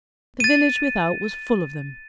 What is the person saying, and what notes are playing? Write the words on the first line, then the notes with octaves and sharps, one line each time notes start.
The village without was full of them.
A6 D#7